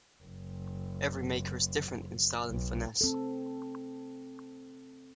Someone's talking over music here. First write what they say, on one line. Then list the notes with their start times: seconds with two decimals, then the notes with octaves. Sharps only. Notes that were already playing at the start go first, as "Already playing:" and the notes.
Every maker is different in style and finesse.
0.24 F#1
2.49 B1
3.01 C4 A4